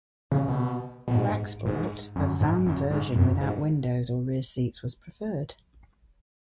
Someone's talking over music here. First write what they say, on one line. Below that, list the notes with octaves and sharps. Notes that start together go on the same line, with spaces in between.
For export, a van version without windows or rear seats was preferred.
C#3
B2
B2
G#2
G#2
F#2
G#2
F#2
G#2
F#2
G#2